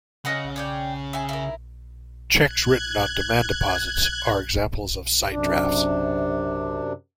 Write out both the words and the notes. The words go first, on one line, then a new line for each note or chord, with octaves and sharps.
Cheques written on demand deposits are examples of sight drafts.
C#3 D#5 F#5 E6
C#5 D5 G5
E5 G#5
E4 A#4
F#6 G#6
F#2 C3 D4